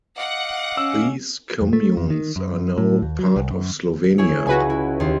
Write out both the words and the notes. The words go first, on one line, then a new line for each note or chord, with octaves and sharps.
These communes are now part of Slovenia.
D#5 F5 F#5 D6
C#4 E6
F2
A3
F2
D#3
F#2
A2
D#2
F#3
C2
F#2
E4 G#4 C#5
C#2 F#4 B4 G#5
E4
D#2 C6